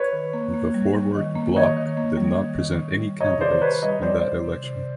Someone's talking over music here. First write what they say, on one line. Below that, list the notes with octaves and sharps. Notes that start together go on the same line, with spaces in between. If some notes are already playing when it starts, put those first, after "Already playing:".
The Forward Bloc did not present any candidates in that election.
Already playing: B4 C#5
D#3
A#3
A#3
G3
G3
D#3
A#3
D#3 C#5 D#5
D#3
A#3
G3
D#3
D#3
D#3
G3
C3 C#5 D#5
D#3 C5 D5
D#3 B4 C#5
G3 C#5 D#5
G3 C5 D5
D#3
C3
C3